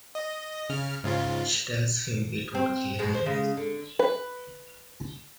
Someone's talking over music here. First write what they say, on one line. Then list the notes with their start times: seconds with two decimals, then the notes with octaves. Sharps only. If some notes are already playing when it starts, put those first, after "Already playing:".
She tells him it would kill him.
0.15 D#5
0.69 C#3 F6
1.04 G#2 C#3 F4
2.55 C4
2.99 G#2 B2 G#3
3.14 C5
3.26 C#3 G#3
3.57 D3
3.99 B4